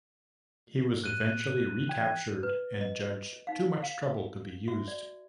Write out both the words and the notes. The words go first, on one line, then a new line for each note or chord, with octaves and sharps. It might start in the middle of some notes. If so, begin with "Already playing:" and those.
He was eventually recaptured and judged too much trouble to be used.
A2 F#6 D#7
E3 G5 G#6
B4
D#5
D#4 F5
F5
F#4 E5
D5